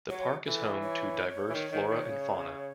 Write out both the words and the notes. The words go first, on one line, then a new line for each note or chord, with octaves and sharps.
The park is home to diverse flora and fauna.
F#3 C#5
E3 A4
C#5
E3
D#3
D#3
D#3
C#3